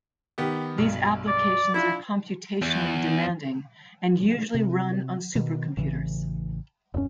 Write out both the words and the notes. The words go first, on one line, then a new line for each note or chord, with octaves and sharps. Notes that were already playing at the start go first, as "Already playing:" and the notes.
These applications are computationally demanding and usually run on supercomputers.
D#3 B3 G4
B1 G2
D5
D4 E4 F4
E2
C3
B2 D#3
A1 C#3 E3
D#1 F#2 F#3 C#4